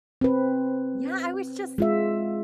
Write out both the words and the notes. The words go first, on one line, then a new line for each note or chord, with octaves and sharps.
Yeah, I was just
C4 B4
G#3 F4 E5